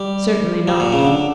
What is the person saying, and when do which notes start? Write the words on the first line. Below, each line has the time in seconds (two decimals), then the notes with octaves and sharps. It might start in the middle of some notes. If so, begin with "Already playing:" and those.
"Certainly not."
Already playing: G3
0.68 F3
0.80 A#2
0.92 C#3
1.05 D3